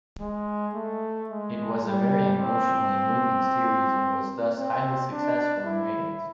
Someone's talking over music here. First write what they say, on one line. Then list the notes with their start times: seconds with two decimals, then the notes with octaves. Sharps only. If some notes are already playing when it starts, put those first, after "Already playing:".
It was a very emotionally moving series and was thus highly successful in ratings.
0.20 G#3
0.75 A3
1.29 G#3
1.84 G3
2.38 C4
4.56 C4
5.10 D4
5.65 E4